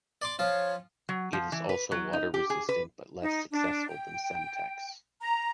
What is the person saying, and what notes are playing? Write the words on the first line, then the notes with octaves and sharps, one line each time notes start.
It is also water resistant, but less successfully than Semtex.
D5 C6 D6
F3 F4 C#5
F#3
F3
E3
B4
F#3
D#4
G4
G#4
B4
D#4
D4
G5
A#5